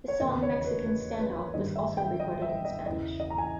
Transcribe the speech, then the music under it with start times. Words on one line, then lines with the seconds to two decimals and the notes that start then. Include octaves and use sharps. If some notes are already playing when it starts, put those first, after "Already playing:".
The song "Mexican Standoff" was also recorded in Spanish.
0.08 C#5
0.20 E1 D#2 C#3 D#5
0.42 C#5
0.65 B4
0.86 B4
1.19 B4
1.53 G2 D#3 G3 D#5
1.76 E5
1.97 G5
2.20 D#5
2.42 E5
2.65 D#5
2.86 E1 E2 C#3 E3 D#5
3.20 D#5
3.30 A#5
3.38 G#5